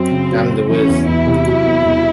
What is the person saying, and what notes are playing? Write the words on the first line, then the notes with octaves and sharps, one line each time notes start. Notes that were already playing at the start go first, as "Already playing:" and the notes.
I'm the Wiz!
Already playing: F#2 C4
C#3
F#2
F#3
E3 C#4
E2
E1 E4
C3
F#3
E2
E1